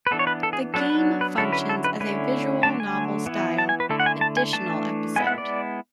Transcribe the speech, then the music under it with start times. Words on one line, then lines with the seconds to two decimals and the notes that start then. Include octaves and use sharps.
The game functions as a visual novel-style "additional episode".
0.07 B4
0.11 E3 B3 D4 A4
0.19 C#5
0.27 B4
0.43 A4
0.53 G#4
0.74 F#3 B3 D4 A4
0.90 B4
1.21 B4
1.38 D3 F#3 C#4 E4 A4
1.53 B4
1.69 A4
1.84 B4
2.00 D3 A3 C#4 E4 B4
2.63 D3 F#3 A3 D4 A5
2.80 G#5
3.26 E3 B3 E4
3.58 A5
3.69 G#5
3.80 B4
3.89 D3 A3 E4 A4
4.00 F#5
4.06 G#5
4.21 A5
4.37 G#5
4.53 E3 A3 D4 A5
5.16 G#3 B3 E4 G#5
5.27 F#5
5.38 D5